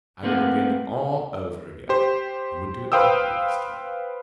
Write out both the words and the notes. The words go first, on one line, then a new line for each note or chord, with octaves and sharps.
I would begin all over again, and would do it properly this time.
A3 A#3 C4 A#4 B4 F#5
G4 C5
B4 C5 F5 G5 D#6 E6